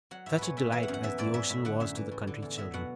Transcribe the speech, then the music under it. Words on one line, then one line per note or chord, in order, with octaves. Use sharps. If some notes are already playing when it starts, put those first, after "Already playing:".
Such a delight as the ocean was to the country children!
F#3 F#5
G#2 E5
G#3 B4 C#5
B2 E5
E3 E5
F#5
F#2
F#5
E3 E5
G#2 D5
F#3 E5
A2 E5
D3 F#5
F#2 E5
E3
A2
D3
E2
F#3 E5
B2 F#5